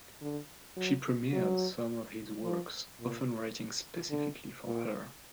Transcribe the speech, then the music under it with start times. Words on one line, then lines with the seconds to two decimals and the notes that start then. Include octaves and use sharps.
She premiered some of his works, often written specifically for her.
0.22 D3
0.77 F#3
1.33 F#3
2.43 F3
3.00 A#2
4.11 D3
4.66 A#2